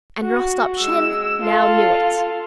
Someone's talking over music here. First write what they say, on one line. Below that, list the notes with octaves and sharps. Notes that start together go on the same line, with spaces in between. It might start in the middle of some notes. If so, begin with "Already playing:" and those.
And Rostopchin now knew it.
F#4
G#3 E6
F4 A4